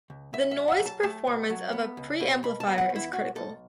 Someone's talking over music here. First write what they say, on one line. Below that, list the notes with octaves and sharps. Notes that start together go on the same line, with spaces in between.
The noise performance of a preamplifier is critical.
C#2
B1 E5
E5
B1
F#5
F#3
A5
A3 A5
B2
F#3
B3
C#2
B2
B2 B5
A5
B3
F#5
E2
E4
B1 F#4
B1 A4